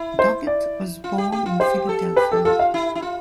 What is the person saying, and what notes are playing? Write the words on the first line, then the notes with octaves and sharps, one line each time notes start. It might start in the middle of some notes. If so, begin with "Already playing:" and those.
Doggett was born in Philadelphia.
Already playing: E4
C5
D5
F4
G4
G4
F4
G4 C5
A4
G4 B4
A4
F4 A4
F5
E4
E4
F4